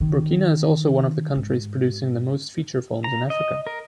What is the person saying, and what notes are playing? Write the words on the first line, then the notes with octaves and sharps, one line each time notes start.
Burkina is also one of the countries producing the most feature films in Africa.
D#3
G#2
A#5
D#5
A#4